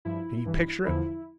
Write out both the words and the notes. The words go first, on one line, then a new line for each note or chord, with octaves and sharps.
Can you picture it?
G2 F3 E4
G2 E3
E2 D3 F3 E4